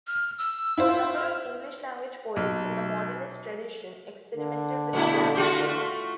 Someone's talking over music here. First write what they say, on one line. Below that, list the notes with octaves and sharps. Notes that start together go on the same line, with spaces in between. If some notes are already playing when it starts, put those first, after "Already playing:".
A number of English-language poets in the Modernist tradition experimented with syllabic verse.
F6
E6
E4 F4 C5
F6
B1
D3
A#2 A3 E4
A3 F4 F#4